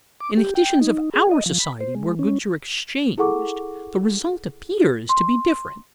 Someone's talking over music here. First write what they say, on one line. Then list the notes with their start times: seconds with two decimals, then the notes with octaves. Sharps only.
In the conditions of our society, where goods are exchanged, the result appears to be different.
0.20 D6
0.37 G4
0.55 G5
0.81 D#4
1.14 G#4
1.31 D#5
1.46 F3
1.60 B5
1.81 C5
1.95 G#3
2.19 C#4
3.18 E4 G#4 A4 F#5 C#6 D6
5.09 C6